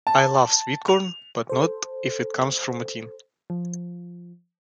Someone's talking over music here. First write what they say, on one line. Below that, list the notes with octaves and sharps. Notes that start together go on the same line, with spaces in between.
I love sweetcorn, but not if it comes from a tin.
A5
F7
A4 C5
F3